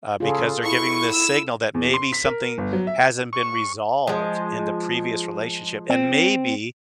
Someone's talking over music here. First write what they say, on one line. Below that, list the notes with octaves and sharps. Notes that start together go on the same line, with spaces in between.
Uh, because they're giving this signal that maybe something hasn't been resolved in the previous relationship, and maybe
C#3 F4 G#4 A4
E4 C#6
E6
E2
C6
B6
A#4
G1
F#3
E5
C#6
F3 G#3
C4